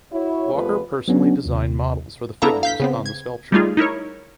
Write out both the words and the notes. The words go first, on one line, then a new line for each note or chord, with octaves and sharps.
Walker personally designed models for the figures on the sculpture.
E4 F#4 C#5
E2 C3 F3 A3 F4 B4
F#3 B3 C#4 D4 F#4
D#2 C3
B3 D4 E4 A4 F5 A#5
F5 G6 B6
C#3 B3 C4
G#6
G3 A3 D#4 F4 G#4
D#4 E4 A#4 C#5